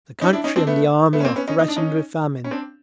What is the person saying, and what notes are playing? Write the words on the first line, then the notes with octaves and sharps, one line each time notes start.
The country and the Army are threatened with famine.
C#4 D#4
D4 E4
C#4 D#4
C4 D4
A3 B3
A3 B3
C#4
A#3 C4
B3 C#4
C#4 D#4
D#4
D4
C#4 D#4
C#4
C4 D4